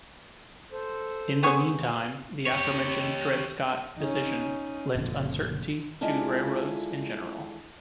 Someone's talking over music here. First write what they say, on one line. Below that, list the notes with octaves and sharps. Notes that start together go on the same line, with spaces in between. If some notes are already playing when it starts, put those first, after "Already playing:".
In the meantime, the aforementioned Dred Scott decision lent uncertainty to railroads in general.
A4 C5
B3 G#4 C#6
G4 C#5
C#4 D#4
F#1 A#2 D3 F3
G#3 D4 E4 F4 A4